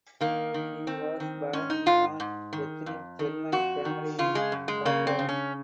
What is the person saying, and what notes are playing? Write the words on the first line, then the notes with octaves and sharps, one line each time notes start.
He was born in an ethnic German family in Sopron.
D#3 A#3
D#3
D#3 C4
D#3
G#2 C#4
D#4
G#2 F4
G#2
D#3
F2
D#3
F2 F#4
D#3
C#3 F4
G#3
F#2
G#3
C#3 A#3
C4
C#3
C#4